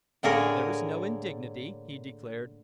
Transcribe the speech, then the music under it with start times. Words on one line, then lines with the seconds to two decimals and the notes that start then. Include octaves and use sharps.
"There is no indignity," he declared.
0.23 A2 D3 A#3 G#4 A#4 C#5